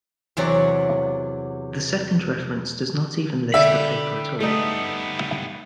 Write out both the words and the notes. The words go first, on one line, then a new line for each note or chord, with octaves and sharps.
The second reference does not even list the paper at all.
E2 C3 F#3 F#4 D5
D3 E5 G5 B5
G3 A3 B3 D#4